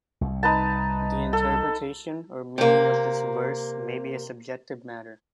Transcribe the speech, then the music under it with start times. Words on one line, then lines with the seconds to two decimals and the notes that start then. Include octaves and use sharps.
The interpretation or meaning of this verse may be a subjective matter.
0.21 C2
0.43 D#4 B4 A5
1.33 A4
2.58 C3 A#3